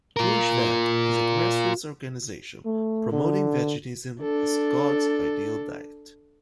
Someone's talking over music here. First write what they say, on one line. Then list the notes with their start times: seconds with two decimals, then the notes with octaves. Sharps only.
Jewish Veg is a grassroots organization promoting veganism as "God's ideal diet".
0.17 F4 A#4
2.65 A3
3.12 D3
4.21 D4 A4